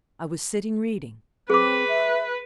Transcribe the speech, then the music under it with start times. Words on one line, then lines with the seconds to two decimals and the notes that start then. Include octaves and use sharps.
I was sitting reading.
1.50 C4 G#4 B4 D6
1.88 E5